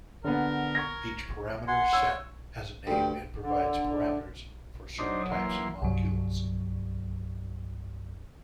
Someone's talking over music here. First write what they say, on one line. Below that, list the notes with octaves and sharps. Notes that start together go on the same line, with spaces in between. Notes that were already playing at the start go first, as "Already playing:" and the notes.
Each parameter set has a name, and provides parameters for certain types of molecules.
D3 B3 A#4
C#6 G#6 A#6
F#5 G#5 C6
C#5 E6
D2 G2 G5
D3
F#3 D4 D#4 C5
E3 A#3 C6
C2 G2 F#3